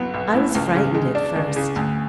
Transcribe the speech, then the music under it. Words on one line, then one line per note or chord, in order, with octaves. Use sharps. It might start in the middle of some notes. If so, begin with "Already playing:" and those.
I was frightened at first.
Already playing: B1 F#3 B3
B1
A2
C#2
C#3
G#3
D4
C#2
C#3
D2